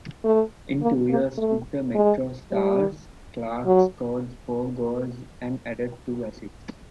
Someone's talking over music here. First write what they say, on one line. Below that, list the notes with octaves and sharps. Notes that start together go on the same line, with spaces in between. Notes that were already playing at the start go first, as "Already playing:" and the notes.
In two years with the MetroStars, Clark scored four goals and added two assists.
A3
A#3
A#3
A3
G#3
G3
F#3